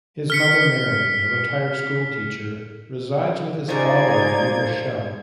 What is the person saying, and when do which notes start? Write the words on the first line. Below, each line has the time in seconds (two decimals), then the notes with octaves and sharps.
His mother, Marian, a retired school teacher, resides with his father in New Rochelle.
0.30 F6 B6 C#7
3.69 C#3 F3 G3 D#4 G#4 D5 G#6